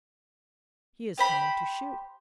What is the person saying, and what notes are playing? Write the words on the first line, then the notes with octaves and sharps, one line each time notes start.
He is coming to shoot.
G4 C5 B5